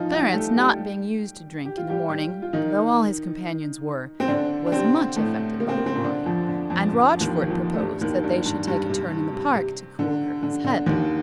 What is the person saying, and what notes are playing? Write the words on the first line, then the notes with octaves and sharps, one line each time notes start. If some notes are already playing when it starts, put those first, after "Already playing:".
Clarence not being used to drink in a morning, though all his companions were, was much affected by the wine, and Rochfort proposed that they should take a turn in the park to cool Hervey's head.
Already playing: F3 D#4 F4
G3 G4
A3 A4
G3 G4
G4
F4
G3 G4
G3 G4
F4
D#3 D#4
C4
D3 D4
D4
C3 C4
A2 A3
A#3
C4
A#3
C4
A#2 A#3
D3 D4
F2 F3
D3
F2 F3
D3
F3
D#2 D#3
D#3
F2 F3
A3
G2 G3
D#2 D#3
G2 G3
G2 G3
G2 G3
C3
C3
C3
D3
D3
D3
D#2 D#3